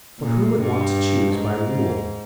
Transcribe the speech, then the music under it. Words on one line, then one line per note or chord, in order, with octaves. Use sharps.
For who would want to choose by rule?
A#2
G2
G#2